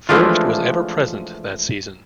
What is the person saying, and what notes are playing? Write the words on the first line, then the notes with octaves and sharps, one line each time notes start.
Forrest was ever-present that season.
E3 F3 G#3 A3 D4 F4